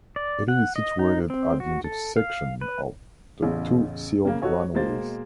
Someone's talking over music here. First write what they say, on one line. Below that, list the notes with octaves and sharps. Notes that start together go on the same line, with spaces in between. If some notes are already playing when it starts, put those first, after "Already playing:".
It is situated at the intersection of the two sealed runways.
D5
F#5
D#5
D#4
C4
F#4
A4
F5
B4
A1 E2 C#3
C#3 A#3
F#4 A4 C#5 D#5
B2 G#3 A#3 C5 A6